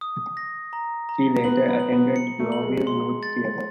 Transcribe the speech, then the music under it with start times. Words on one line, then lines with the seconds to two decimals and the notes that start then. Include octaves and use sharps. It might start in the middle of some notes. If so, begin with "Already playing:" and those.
She later attended Yeovil Youth Theatre.
0.01 D#6
0.37 A#6
0.73 A#5
1.09 A#5
1.44 B3 F#7
1.68 B3
1.79 F#7
1.92 B3
2.16 C#7
2.40 A3
2.52 F#7
2.63 G#3
2.87 C6
3.23 A6